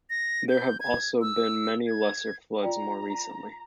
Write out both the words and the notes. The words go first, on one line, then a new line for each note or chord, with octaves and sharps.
There have also been many lesser floods more recently.
A#6
G6
G#6
E6
G#6
F4 D5 G5 A#5